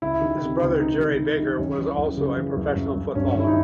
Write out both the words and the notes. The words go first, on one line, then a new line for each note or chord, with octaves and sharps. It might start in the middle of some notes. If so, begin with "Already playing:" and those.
His brother Gerry Baker was also a professional footballer.
C#2 E4
D#3
C3
C#2
C3 D#4
D#3
D#3
D#3
F#2 C#4
E3
F#2
C#3
E3
F#2
F#2
F#2
G2 C#4
D#3 E4
D#4